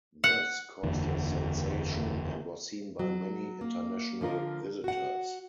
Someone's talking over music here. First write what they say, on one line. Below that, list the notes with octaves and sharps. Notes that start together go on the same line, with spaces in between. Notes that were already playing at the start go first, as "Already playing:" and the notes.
This caused a sensation and was seen by many international visitors.
F#5
F#1 E2 D3
F#3
A#3
D3 F3 F4 A#4
F#4 F#5